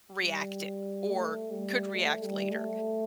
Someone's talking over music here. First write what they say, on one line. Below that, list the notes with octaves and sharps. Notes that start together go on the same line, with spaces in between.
"reacted, or could react later.
G3
A3
G3
A3
G3
A3